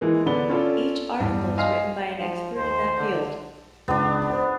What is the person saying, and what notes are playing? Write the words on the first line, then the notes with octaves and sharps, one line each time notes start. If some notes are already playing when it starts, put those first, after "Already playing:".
Each article is written by an expert in that field.
E3 G#3 A#3
D3 B3 D5 B5 G7
C#4 F4 A4 D5
E2 G2
D#5 F5 G#5 C6 F6 C7
F3
D#2 C5
D3
C#2 B3 D4
C5